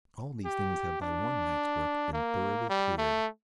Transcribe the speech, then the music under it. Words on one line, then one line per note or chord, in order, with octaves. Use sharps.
All these things have by one night's work been thoroughly cleared.
G4
D4
A#3
G3
A3